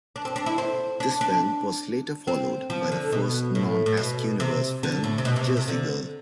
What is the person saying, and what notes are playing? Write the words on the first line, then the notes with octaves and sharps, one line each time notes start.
This film was later followed by the first non-Askewniverse film, "Jersey Girl".
D4
C4
D4
E4
C4
D4
D4
C4
F3
D3
B2
A2
A2
B2
C3
D3
A2
C3
B2
C3
B2
C3
D3